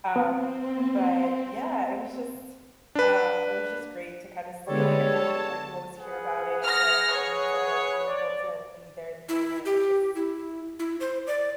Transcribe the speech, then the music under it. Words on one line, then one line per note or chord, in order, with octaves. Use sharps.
Um, but yeah, it was just, uh, it was just great to kinda see it, like, I feel like I you always hear about it, right, and so, like, being able to be there in the moment was just
B3 C4
D4 B4
D3 G3 G#3 B3 A4 C#5
A5
G#4 B4 F#5
F6 A#6
C#5
D5
E4
G4
E4
E4
C5
D5